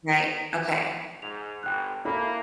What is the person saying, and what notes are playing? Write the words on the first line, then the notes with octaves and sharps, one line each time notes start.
Right, okay.
G#2 F7
G1 G5 F#6
A#3 E4 A4 B5